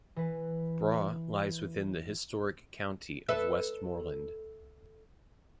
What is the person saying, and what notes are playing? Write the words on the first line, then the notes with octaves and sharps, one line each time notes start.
Brough lies within the historic county of Westmorland.
E3 B4
A4 B4 E5